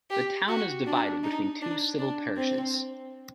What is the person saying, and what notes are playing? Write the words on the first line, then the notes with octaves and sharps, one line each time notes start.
The town is divided between two civil parishes.
G4
F#4
D4
D#4
D4
D4
C4